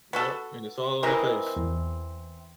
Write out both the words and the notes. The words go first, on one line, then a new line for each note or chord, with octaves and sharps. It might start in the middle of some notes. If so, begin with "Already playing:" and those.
Yep, and it's all on the face.
B3 F#4 A4
E3 C4 A#4 B4 D#5 A#5
E2